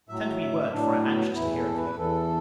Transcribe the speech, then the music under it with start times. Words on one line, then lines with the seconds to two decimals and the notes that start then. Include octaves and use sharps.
Send me word, for I am anxious to hear of you.
0.09 A2 F#3 E5
0.40 E5
0.72 A2 F#3 D4
1.03 B3
1.35 E2 E3 E4
1.56 A4
1.77 B4
1.97 E2 E3 A4